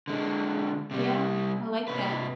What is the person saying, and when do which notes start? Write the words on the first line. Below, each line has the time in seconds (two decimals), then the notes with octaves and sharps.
Yeah, I like that.
0.08 D3 G#3
0.91 C3 G3
1.88 C3 B4